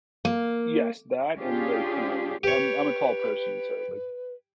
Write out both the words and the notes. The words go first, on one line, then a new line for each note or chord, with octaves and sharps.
Yes, that and like, you know, I'm I'm a tall person, so like,
A#3
C#4 D4 F4 G4 G#4
G4 B4 C#5